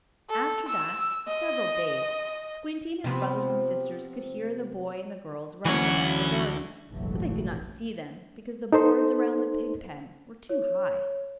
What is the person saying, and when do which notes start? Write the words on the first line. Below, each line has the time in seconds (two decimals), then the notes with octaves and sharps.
After that, for several days, Squinty and his brothers and sisters could hear the boy and the girls running about the garden, but they could not see them because the boards around the pig pen were too high.
0.30 A4
0.68 E6
1.28 D#5
3.04 C3 F3 B3
5.65 D2 E3 F#3 C#4 F#4
6.91 F1 A#1 G#2 E3 F#3 A3
8.73 D#4 A4 C5 C6
10.49 C#5